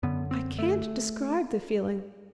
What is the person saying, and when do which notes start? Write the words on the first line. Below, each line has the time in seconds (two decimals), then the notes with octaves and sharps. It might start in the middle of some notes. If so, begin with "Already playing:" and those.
I can't describe the feeling.
0.03 F#2 D3 B3
0.31 C4
0.59 A3